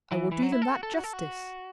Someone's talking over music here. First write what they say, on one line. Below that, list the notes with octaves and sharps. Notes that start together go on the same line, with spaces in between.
I will do them that justice.
E3
E3
F#3
E4
A4
F#4
A4
F#4
A4
F#4